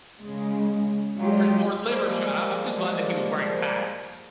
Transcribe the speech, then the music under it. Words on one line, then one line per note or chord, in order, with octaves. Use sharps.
or or liver shot. I I'm just glad that he was wearing pads
C#3 G#3
F#3 G#3 F4 G4
F3 G3 G#3 A#3